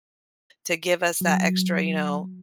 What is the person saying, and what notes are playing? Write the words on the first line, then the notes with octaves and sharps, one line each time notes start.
to give us that extra, you know,
F#3